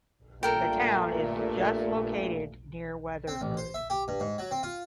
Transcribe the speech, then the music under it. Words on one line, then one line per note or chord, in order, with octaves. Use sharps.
The town is just located near Weatherford.
G2 A#2 A3 A4 A#4 G5
C4
A1
C5
E5
G4
G2
G#2
F#3
C4
F4